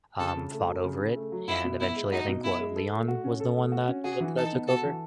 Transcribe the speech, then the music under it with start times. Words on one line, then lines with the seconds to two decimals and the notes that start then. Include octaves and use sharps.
um, fought over it, and eventually I think what Leon was the one that w that took over it.
0.19 C#3 A4
0.36 C#3
0.52 A3
0.68 F#3
0.84 C#3
1.00 C#3
1.16 A3
1.32 F#3
1.48 E4 F#4
1.64 B2
1.80 B3 E4
1.96 G#3
2.12 D#4 F#4
2.28 B2
2.44 B3 E4
2.60 G#3
2.76 A4
2.92 A3
3.08 F#4
3.24 C#4
3.40 A4
3.56 A3
3.72 F#4
3.88 C#4
4.04 F#4 G#4
4.20 E3
4.36 D#4 A4
4.52 B3
4.68 F#4 A4
4.85 E3